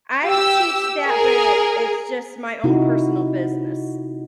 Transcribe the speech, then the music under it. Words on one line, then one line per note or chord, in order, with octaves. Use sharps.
I teach that, but it's just my own personal business,
G4 E6
G#4 A#4
C3 D#4 E4 F#4